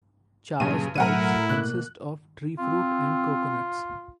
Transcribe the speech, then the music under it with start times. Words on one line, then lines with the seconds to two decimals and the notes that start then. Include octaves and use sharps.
Chao's diets consist of tree fruit and coconuts.
0.60 G2 A#2 C#3 F#3 G#4 D#7
0.96 B1 A2 F#3 E4 A#4 F#5 D#7
1.49 B2 A#3 F#6
2.59 C4 F4